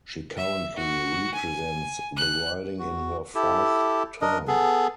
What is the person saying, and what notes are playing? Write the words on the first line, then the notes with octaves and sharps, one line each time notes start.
She currently represents the riding in her fourth term.
E5
F#4
G#5
F#6
F#4
E4 G4 A4
D4 A#4 D#5
B3 G#4 A4